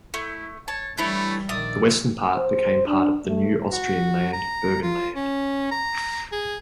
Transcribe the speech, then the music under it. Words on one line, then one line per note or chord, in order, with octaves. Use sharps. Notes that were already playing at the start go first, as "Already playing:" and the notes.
The western part became part of the new Austrian land Burgenland.
A3 E4
C#5 A5
E3 G3 A3 D4 E4 C#5
A#1 D#3 D5 E5 D#6
C5
D4
A3
F#4
A#5
F4
C#4
A#5
G#4